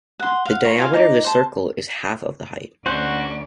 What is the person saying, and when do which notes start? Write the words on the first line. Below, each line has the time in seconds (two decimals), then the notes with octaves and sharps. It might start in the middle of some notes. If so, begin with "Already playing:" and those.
The diameter of the circle is half of the height.
0.20 F#5 C6
0.45 F5 F#5
0.64 F4 C#5 A#5
0.78 F4 F5 G#5
0.94 D#4 D6
1.24 C5 A5
2.86 D2 C#4 F#4 C5 D5 F#6